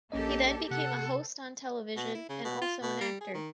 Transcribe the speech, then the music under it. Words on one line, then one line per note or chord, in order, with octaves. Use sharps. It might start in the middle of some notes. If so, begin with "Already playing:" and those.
He then became a host on television, and also an actor.
A#1 A#3 C#4 G4 A4 D#5
C3 A4 F#5
B2
E4
C#3
B2
F4
B2
G3
G#4
D#3